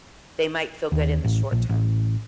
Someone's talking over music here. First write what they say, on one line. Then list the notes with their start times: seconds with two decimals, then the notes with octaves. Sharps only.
They might feel good in the short-term.
0.92 D#2
1.24 A1
1.52 A#1
1.69 A1